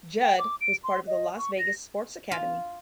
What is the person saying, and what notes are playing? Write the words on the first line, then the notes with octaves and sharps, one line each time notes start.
Judd was part of the Las Vegas Sports Academy.
G5
D6
D7
C6
D#5
C#6
A#6
F4